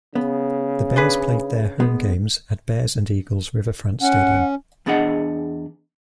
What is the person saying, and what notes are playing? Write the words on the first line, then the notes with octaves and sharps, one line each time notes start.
The Bears played their home games at Bears and Eagles Riverfront Stadium.
C#3 B3
D4 G#4 B4
G#3 B3
C#4 F#5
E2 B3 D4 G#4 D#5 F#5